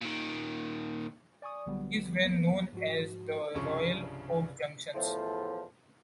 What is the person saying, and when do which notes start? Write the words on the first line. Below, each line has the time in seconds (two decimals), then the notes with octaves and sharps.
These were known as the Royal Oak Junctions.
0.02 A#2 D#3
1.42 D5 G#5 C#6 D#6
1.66 A#1 D3 F#3 G3 B3
2.23 C#2 A#3 B3
2.73 G#2 F3 F#4
3.55 C2 G2 C#3 F3 C#6
4.95 E2 A2 F3